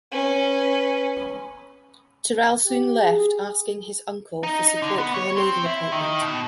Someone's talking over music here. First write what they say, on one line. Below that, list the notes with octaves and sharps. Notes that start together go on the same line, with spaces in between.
Tyrrell soon left, asking his uncle for support with a naval appointment.
C#4 B4
G4
G#4
D#4
D3
B3
C#5
C4
E4
D#3
B2